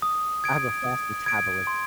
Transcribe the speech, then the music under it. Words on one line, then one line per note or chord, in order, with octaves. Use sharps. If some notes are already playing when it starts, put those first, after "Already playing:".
I have a fast metabolism
D#6
G#6 D7
D#6
G#6 D7
C6